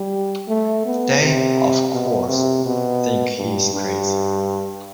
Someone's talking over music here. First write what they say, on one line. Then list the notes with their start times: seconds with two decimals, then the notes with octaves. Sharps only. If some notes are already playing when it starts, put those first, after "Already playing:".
They, of course, think he's crazy.
Already playing: G3
0.48 A3
0.85 B3
1.22 C3
1.93 B2
2.29 C3
2.66 B2
3.38 G2
3.74 G2